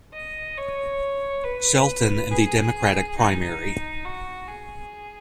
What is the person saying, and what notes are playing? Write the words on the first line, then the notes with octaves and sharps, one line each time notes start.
Shelton in the Democratic primary.
D#5
C#5
B4
G#4
D#4
F#4
G#4